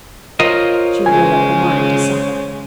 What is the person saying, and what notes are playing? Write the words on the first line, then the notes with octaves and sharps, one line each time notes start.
She had made up her mind to suffer.
F4 A#4 C5 C#5 D#5
C#3 G#3 G#5